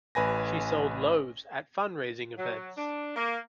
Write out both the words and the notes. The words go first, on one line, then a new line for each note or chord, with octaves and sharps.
She sold loaves at fundraising events.
A1 B4 G#5 A#6
F#3
D4
A#3